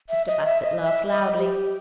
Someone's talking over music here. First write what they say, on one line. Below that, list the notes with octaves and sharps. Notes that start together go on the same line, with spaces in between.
Mr. Bassett laughed loudly.
E5
D#5
E5
D#5
E5
D#5
G4